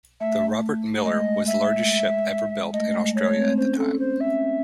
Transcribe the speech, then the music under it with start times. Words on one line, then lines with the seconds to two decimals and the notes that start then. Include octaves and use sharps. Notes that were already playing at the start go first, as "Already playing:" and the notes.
The "Robert Miller" was the largest ship ever built in Australia at the time.
0.20 A3 E5
1.04 G#3 D#5
1.47 E5
2.73 A3 D#5
2.94 G#3
3.16 A3 C#5
3.26 A3
3.36 C4
3.49 C4
3.57 C#4 C5
3.78 A4
3.99 C5
4.20 E5